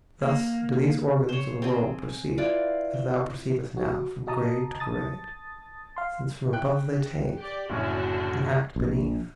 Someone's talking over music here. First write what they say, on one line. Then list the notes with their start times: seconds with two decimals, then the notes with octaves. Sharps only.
Thus do these organs of the world proceed, As thou perceivest now, from grade to grade; Since from above they take, and act beneath.
0.22 A#3
1.29 C5 C#5
1.62 C4 G#4
2.38 E4 F4 B4 D5
2.93 C4
3.77 F#4
4.27 F#4 D#5 A5 A#5 D#6
4.80 A5 D#6 A6
5.96 F5 C6
6.53 G5 F#6
7.38 G4 D5
7.70 F#1 A2 D3 C#4 F#4
8.76 A#1